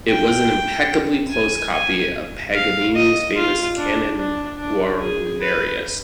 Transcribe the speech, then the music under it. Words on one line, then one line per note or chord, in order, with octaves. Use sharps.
It was an impeccably close copy of Paganini's famous Cannone Guarnerius.
G5
G#5
G#5
F5
D#5
F4
D4
D4
D4
G#4
B4